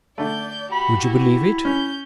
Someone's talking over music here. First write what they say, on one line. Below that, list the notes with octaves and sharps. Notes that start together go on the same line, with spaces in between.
Would you believe it?
D3 A3 D5 G6
F#4 G4 B5
E4
C#4 G6